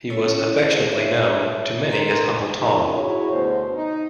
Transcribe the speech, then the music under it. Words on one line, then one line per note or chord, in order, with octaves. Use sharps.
He was affectionately known to many as Uncle Tom.
C#4 E4 A4 C#5
G#4 C5 F5
C#5 E5
A4 A#4 A#5 C6
E2 C#3 F3 D#4 A#4
E4 F#4 G#4 C#5
D2 B2 C5
D#4 D#5